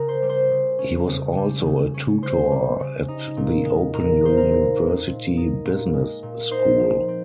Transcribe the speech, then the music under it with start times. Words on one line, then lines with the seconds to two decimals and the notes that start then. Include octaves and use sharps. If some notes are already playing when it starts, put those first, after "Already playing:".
He was also a tutor at the Open University Business School.
Already playing: C#3 A#4
0.08 C5
0.22 G3
0.29 C5
0.51 C#3
0.79 C#4
1.07 C#3
1.37 G3
1.65 C#3
1.94 C#4
2.22 C#3 C5
2.51 G3
2.80 C#3
3.08 D#4
3.37 A#2
3.65 G#3
3.94 A#2 A#4
4.22 D#4 C5
4.37 A#4
4.51 A#2
4.80 G#3
5.08 A#2
5.37 D#4
5.65 A#2
5.94 G#3
6.23 A#2
6.51 D#4 C5
6.80 F3
7.08 C4